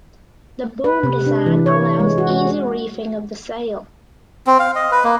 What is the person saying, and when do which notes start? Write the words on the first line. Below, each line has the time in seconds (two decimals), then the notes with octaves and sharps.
The boom design allows easy reefing of the sail.
0.84 B4
1.03 C3
1.26 D4
1.46 E3
1.66 C#5
1.99 G#3
2.18 F#4
2.30 F#4
4.47 C4
4.59 F5
4.75 D#5
4.92 B4
5.04 A#3